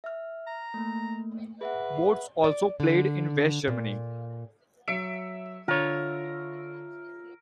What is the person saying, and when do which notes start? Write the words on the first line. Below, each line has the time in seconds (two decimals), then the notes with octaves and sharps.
Bots also played in West Germany.
0.04 E5 F6
0.47 A#5
0.74 A3 A#3
1.61 G#4 B4 E5 F#5
2.44 D5
2.80 D3
3.68 A#2
4.88 F#3 E5 C#7 D7
5.68 D3 F4 A#4 C#5